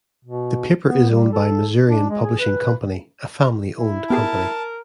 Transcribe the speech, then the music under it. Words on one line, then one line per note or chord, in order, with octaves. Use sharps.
The paper is owned by Missourian Publishing Company, a family-owned company.
B2
B3
G3
A4
D4
G#3
G#4
B4
E4
B3 G4 G#4 A#4 A5